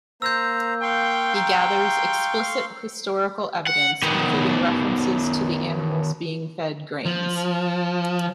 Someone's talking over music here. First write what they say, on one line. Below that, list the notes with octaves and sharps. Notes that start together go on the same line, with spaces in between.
He gathers explicit historical evidence, including references to the animals being fed grains.
A#3 C5 A#5 E6 G6
F5 G5 C6 C#6
G5 A#5
F#5
D#3 B3
F3